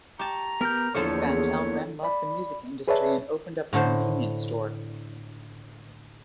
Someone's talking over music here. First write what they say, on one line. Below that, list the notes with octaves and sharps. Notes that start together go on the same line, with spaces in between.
Spantell then left the music industry and opened up a convenience store.
G4 A5 A#5 C#6
B3 G4 A#4 G6
E2 D3 F3 A#3 A4 C5 C#5 C#6
D5 B5
G#4 B4 C#5 D5 E5 A5
A2 D3 A4 C5